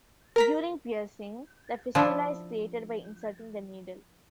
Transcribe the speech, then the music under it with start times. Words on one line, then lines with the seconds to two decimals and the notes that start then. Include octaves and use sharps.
During piercing, the fistula is created by inserting the needle.
0.36 A#4 A#5 B6
1.95 F3 D4 E4